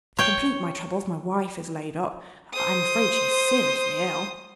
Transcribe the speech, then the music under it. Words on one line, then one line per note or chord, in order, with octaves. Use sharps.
To complete my troubles, my wife is laid up; I am afraid she is seriously ill.
C#5 G5
C5 D#6